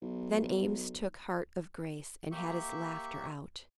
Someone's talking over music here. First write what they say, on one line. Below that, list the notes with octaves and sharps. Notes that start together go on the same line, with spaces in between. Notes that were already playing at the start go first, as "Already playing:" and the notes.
Then Eames took heart of grace and had his laughter out.
B1
A#3 G4 E5 C#6